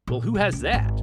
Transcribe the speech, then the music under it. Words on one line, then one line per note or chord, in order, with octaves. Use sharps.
Well, who has that?
A#2
D2 B2
C#2
G#1